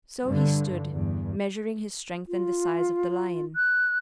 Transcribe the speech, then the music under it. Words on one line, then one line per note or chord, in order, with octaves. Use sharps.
So he stood, measuring his strength and the size of the lion.
G2 D3
E2 G2
F4
F#6